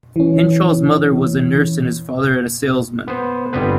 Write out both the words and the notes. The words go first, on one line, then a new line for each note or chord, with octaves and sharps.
Henshall's mother was a nurse and his father a salesman.
E3 C#4
B3 C5
G1 G3 B3 C4 B4